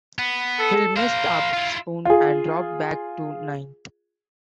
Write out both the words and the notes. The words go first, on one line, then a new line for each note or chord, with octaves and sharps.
Hill messed up, spun and dropped back to ninth.
B3
A4
A#4 C5 F5
E4 F4
F4 G#4